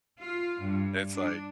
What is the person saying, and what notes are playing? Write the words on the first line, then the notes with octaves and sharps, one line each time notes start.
It's, like,
F4
G2
D4